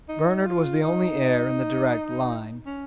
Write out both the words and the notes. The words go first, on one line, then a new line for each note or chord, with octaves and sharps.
"Bernard was the only heir in the direct line."
D#4
F4
D#4
C#4